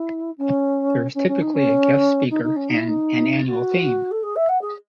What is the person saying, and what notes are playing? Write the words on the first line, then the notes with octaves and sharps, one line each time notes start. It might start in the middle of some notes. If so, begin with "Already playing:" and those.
There is typically a guest speaker and an annual theme.
Already playing: E4
C#4
C#4
C#4
D#4
C#4
D#4
D#4
C#4
D#4
E4
D#4
F#4
A4
G#4
E5
F#5
G#4